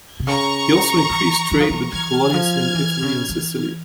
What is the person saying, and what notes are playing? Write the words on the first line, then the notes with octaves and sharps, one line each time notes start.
He also increased trade with the colonies in Italy and Sicily.
C3
C#3 A#5 C#6
E3
E3
F3
E3
E3 F6 G#6
F3
E3
C#3
E3